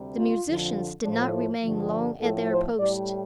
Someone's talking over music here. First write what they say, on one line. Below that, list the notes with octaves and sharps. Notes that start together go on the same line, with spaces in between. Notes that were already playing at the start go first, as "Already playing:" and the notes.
The musicians did not remain long at their post.
Already playing: D2 C3 G3
F4
F2 D3 F3
A2 F3 D4
G2 D3 F3
A2 F3 A4
C5
A2 G3 D5